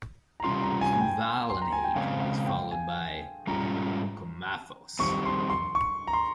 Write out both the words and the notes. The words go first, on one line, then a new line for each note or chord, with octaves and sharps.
Fluvalinate was followed by coumaphos.
A#5
C3 G3 C#4 F4 C6
A#5
G#5
G#5
G5
C6
A#5
G#5
G5
F2 C#3 G#3 C4 F5
F5
G5
G#5
G#2 G3 C#4 F4 A#5
F2 D#3 G3 C4 C#6
C6
C6
C#6
A#5
C6